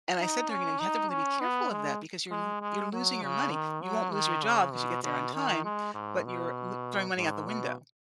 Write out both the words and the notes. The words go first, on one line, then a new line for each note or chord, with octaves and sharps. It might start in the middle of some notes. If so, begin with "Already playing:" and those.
And I said to her, "You know, you have to really be careful of that because you're lo you're losing your money. You won't lose your job, 'cause you get there on time, but you're lo throwing money out the window."
D#4
C#4
D#4
C#4
B3
G#3
G#3
G#3
F#3
C#3
D#3
F#3
D#3
C#3
B2
B2
D#3
G#3
G#2
B2
G#2
B2